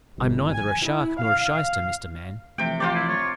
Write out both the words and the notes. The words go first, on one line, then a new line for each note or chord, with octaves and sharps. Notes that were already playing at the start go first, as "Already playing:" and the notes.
I'm neither a shark nor a shyster, Mr. Man.
G1
G#5
E4
F5
F5
C3 E3 F3 A3 G5
F4 G4 C5 D5
E4
C#5